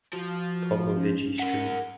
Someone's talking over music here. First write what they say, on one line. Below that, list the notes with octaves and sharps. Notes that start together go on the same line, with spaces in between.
Popovici Street.
F3 F#4
C#4
A#4 F#5